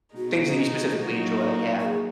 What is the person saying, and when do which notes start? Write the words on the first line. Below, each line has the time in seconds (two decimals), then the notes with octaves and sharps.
Things that you specifically enjoy, yeah.
0.16 B2 G#3 D#4 F#4
1.01 F#3 A#3 D#4 F#4
1.80 A#4
1.85 G#4